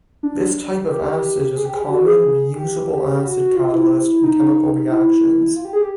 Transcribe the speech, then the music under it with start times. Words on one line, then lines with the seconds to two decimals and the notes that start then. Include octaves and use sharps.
This type of acid is a common re-usable acid catalyst in chemical reactions.
0.23 D4
0.90 G4
1.56 G#4
1.65 G4
1.74 G#4
1.82 G4
1.90 F#4
2.06 G#4
2.56 G4
3.23 F#4
3.56 F4
3.73 E4
4.23 D#4
4.90 E4
5.56 F4
5.65 G4
5.73 G#4
5.81 G4